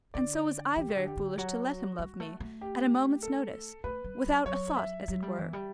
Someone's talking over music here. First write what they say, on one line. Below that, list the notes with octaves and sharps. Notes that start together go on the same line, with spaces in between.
And so was I very foolish to let him love me, at a moment's notice,--without a thought as it were.
D3 D5
E3 G4
C#3
D3
G4
D3
F#3 F#4
G3
A3
A3
G4
A4
A3 B4
G3
F#3
F#3 C#5
E5
F#3
G3
E3
G3